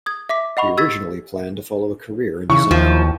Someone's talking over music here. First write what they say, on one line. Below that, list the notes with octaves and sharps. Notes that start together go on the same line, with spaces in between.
He originally planned to follow a career in design.
D#6 G#6
E5 D6 B6
D#5 F#5 B5 C#6
G4 E6 G#6 A6 B6
C#3 E3 D#4 E4 C#6
D#2 F3